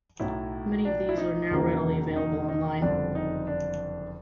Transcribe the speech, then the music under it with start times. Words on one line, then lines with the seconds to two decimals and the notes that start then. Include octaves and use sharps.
Many of these are now readily available online.
0.20 B1 A2 F#3 E4
0.85 D4
1.09 E4
1.17 D#4
1.50 E1 D#2 C#3 F#3 A#3
2.16 D#4
2.48 D#4
2.82 F#1 F2 D3 G3 C4 D4
3.15 D#4
3.47 D4